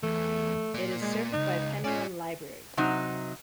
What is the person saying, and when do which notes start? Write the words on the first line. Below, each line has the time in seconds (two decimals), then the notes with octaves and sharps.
It is served by Penylan Library.
0.03 E2 A3
0.74 A#3 D5
1.01 G#3
1.33 C#2 G#2 D#4
1.84 C#4 F4 D5
2.77 C3 F#3 D#4